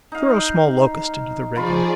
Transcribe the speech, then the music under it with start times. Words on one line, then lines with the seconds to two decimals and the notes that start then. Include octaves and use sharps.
Throw a small Locust into the rigging.
0.12 D#4 F5
1.56 F3 F4 G#4 D5 B5 C#6